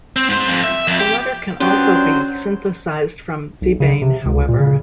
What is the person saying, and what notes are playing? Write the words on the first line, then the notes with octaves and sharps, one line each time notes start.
The latter can also be synthesized from thebaine, however.
C4
G#2 C5
F2
E5
F2
G4
F#3 B3 C#4 D4 G4 C5 C6
B1
C#3
C3
C#2
A#2
C#3